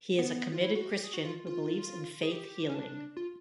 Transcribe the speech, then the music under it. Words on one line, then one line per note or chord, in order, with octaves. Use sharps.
He is a committed Christian who believes in faith healing.
B3
F4
E4
F#4
G4
G#4
F#4
F4
F4
G#4
G4
C#4
D4
F4